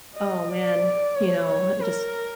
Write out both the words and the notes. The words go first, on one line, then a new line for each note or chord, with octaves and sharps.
oh man, you know, just
D#5
D5
C#5
A#4